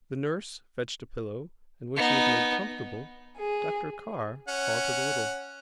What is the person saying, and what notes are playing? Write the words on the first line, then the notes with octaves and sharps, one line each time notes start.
The nurse fetched a pillow, and when she was made comfortable, Dr. Carr called to the little ones.
B3 D#4
G#4
C#4 F#5